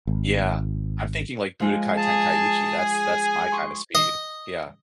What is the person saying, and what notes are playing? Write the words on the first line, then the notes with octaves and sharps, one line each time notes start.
Yeah, I'm thinking, like, Budokai Tenkaichi, that's that's my kind of speed. Yeah.
G#1
F3 G#3
G#4 A5
G#5
C6 C#6
D#5